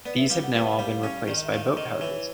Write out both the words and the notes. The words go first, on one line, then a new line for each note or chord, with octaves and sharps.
These have now all been replaced by boat houses.
B3 D5
E5
G3 F5
F#5
B3 F5
G3
C#4
D#3 D5
D#5
E5
D#3 F5
E5
D#3 D#5
C#5
E3